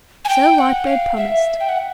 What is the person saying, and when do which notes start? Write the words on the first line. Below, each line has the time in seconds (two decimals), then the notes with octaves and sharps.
So Whitebird promised.
0.25 G#5
0.29 G5
0.58 F#5
0.87 F5
1.17 E5
1.60 G5
1.69 F#5